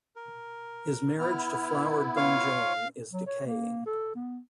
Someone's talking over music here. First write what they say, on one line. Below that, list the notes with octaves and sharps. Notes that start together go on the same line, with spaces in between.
His marriage to Flower Dongeon is decaying.
A#4
B3 E4 F6
F4 C#5 F5
F#3
C#5
A#3
A4
B3